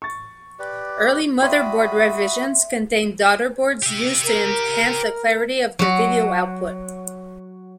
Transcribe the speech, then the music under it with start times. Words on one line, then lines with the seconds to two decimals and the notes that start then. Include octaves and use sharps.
Early motherboard revisions contain daughterboards, used to enhance the clarity of the video output.
0.02 C#6 A6
0.59 G4 B4 D5
1.42 F#4 D5 E5 G5 B5 C6 D#6
3.83 G4 E5
4.24 A#4
5.79 F#3 F#4